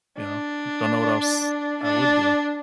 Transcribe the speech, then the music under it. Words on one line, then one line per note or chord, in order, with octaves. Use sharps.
you know don't know what else I would do.
D4
D4